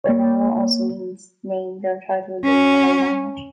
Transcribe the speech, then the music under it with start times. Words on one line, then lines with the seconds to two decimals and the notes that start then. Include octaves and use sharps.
Bernama also means "named" or "titled" in the Malay language.
0.04 A#3 C#5
2.44 C#4